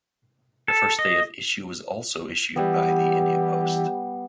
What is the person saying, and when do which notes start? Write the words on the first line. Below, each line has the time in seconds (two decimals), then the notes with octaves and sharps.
The First day of issue was also issued by the India Post.
0.68 A4
0.99 D#5
2.56 E3 G3 B3 G4